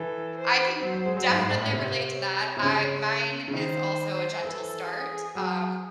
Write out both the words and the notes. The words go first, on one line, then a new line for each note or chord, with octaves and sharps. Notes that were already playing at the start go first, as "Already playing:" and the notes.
I can definitely relate to that. I mine is also a gentle start, um,
Already playing: E3 A4
C5
F#3 C5
F#3
G#3
F#3
G#2 C5
G#2
A2
A2
C3 C5
C#5
C3
C#3
C#3
D#3 C5
E3 A4
G#4
F#3